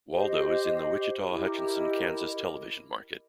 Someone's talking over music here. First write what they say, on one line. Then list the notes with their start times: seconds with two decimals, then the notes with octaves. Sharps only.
Waldo is in the Wichita-Hutchinson, Kansas television market.
0.12 G4 C5 D#5
1.30 E4 G4 A#4 D#5